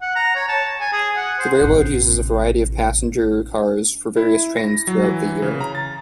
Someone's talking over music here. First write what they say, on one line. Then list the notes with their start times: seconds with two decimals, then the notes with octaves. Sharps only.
The railroad uses a variety of passenger cars for various trains throughout the year.
0.02 F#5
0.16 A#5
0.35 C#5
0.48 A5
0.80 G#5
0.93 G#4
1.17 F#5
1.39 C5
1.61 A1 C3
4.17 E4
4.57 A#6
4.87 F#3
5.04 E3
5.42 C#3
5.61 A#5
5.75 A6